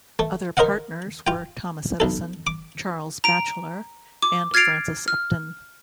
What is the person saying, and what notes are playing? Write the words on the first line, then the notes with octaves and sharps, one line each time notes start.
Other partners were Thomas Edison, Charles Batchelor, and Francis Upton.
A3
A#4 C5 D#5 F5 F#5
F4 G5
B1 A4
D6
A#5 D7
D6
F6 G#6 A6 C7 D7 F7
F6